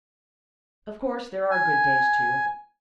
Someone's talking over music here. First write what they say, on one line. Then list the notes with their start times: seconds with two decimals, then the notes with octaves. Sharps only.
Of course there are good days, too.
1.51 G#5